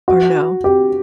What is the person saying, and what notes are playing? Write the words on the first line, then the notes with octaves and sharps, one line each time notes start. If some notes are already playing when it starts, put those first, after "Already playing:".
or no?
F#4
G4